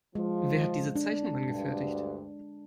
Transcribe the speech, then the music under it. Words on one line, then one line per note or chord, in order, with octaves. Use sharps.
Wer hat diese Zeichnung angefertigt?
F3 G#3
D4
D2 G2